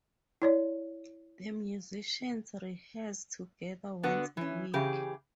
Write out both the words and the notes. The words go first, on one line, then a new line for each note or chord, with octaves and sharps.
The musicians rehearse together once a week.
E4 C#5 D5
D3 B3 F#4
E3 C#4
C#3 E3 G4 G#4